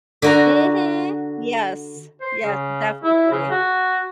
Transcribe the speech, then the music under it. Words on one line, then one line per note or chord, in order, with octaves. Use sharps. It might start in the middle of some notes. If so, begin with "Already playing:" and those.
Mhm. Yes. Yes, definitely.
D3 F#4 A#5
C5
C#3
E4
C#3
F#4